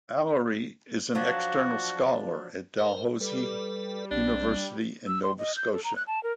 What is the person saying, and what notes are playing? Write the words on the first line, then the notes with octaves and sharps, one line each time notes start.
Alary is an External Scholar at Dalhousie University in Nova Scotia.
F3 F#3 D4 F#4
A#4 C5
G3 A4 B4
B1 C4 D4
E6
C6
D#5
G6
A4
A#5
F#6
A5
A#4